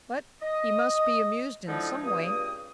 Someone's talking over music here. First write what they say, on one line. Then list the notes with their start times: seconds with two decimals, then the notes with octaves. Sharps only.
But he must be amused in some way.
0.42 D#5
1.68 F2 D3 F3 G#3 D#4 E4
2.04 C#2 G2 A#3 C4 D#6